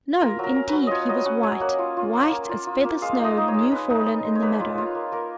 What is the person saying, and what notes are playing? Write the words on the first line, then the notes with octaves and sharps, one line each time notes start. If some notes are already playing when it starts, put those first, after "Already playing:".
No, indeed; he was white--white as feather-snow new fallen in the meadow.
F4 A#4
F#3 A#4
C#4
F#3 B4
F4 C#5 D#5
F#3 D#5
C#4 F#5
F#3 G#5
A#3 F#5
F4
F4
A#3
A#3
F4
F4
A#3
G#3 F5
D#4 F5
D#5
D#4
C#5
G#3
G#3 B4
D#4
D#4
G#3
C#5
A#3 B4
F4
F4
A#3
A#3 A#4